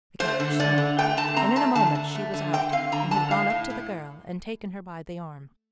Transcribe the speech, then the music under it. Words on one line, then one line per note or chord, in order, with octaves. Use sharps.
The carriage stopped, and in a moment she was out and had gone up to the girl and taken her by the arm.
A3 C5
D3
D3 D5
D3
A3 G5
D3 A5
C4 A#5
A3 A5
D3 A5
D3
A3
D3
D3 G5
C4 F5
D3 A#5
D3 A5
A2 F5
A2
A2